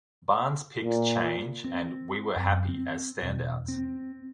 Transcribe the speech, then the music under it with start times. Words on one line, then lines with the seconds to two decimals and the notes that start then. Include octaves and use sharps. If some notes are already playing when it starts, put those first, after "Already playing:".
Barnes picked "Change" and "We Were Happy" as standouts.
0.83 A#2
1.64 C4
2.36 F#2
2.69 C4
3.23 E1
3.68 C4